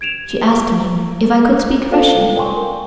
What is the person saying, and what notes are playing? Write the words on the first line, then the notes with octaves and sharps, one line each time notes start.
She asked me if I could speak Russian.
G#6 D7 E7 F7
F4 A4 C5 F5 G5
A#4 D5 G5 G#5 C6 C#6